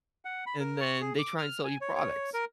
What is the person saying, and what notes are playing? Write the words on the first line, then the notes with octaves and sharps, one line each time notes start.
and then they try and sell you products.
F#5
B5
A#4
C#6
G#4
D6
F6
G#5
C#5
C#5
A#4